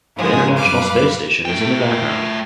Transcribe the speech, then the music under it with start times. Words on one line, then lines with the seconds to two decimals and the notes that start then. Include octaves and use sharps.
The International Space Station is in the background.
0.15 G#2 D#3 F3 G#3
0.56 F#2 G3 B4 F5 D6
1.45 A3 G5